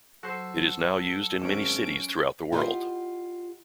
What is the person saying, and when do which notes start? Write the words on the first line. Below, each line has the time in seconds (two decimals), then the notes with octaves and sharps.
It is now used in many cities throughout the world.
0.23 F#3 F#4 A4 C5
1.42 G#1 C#4 D7
2.52 E4 F4 G4 C5 D#5 F#5